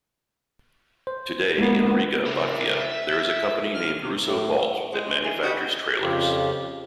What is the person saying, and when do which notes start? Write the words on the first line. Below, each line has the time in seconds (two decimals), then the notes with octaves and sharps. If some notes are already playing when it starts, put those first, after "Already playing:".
Today in Riga, Latvia, there is a company named Russo-Balt that manufactures trailers.
1.07 C5
1.58 G#3 A#3 B3
2.26 E4 A#4
2.80 E5
3.74 F6
4.00 C3
4.24 A2
4.93 G#3
5.24 E3 G#4
5.43 D#4 F#4 G4 B4
6.01 F2 C#3 F3 F4 G4